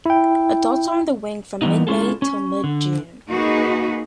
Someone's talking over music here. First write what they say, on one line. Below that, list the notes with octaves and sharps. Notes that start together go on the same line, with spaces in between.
Adults are on the wing from mid-May till mid-June.
E4 G5
E3 G3 B3 D#4
G#3 C#4 E4 F4 G#4 A4
C#4
D3
A#3 D#4 F#4 G#4 B4